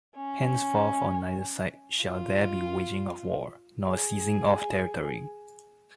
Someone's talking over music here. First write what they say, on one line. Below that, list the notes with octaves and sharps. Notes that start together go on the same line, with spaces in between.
Henceforth on neither side shall there be waging of war nor seizing of territory.
C#4
F4
G#4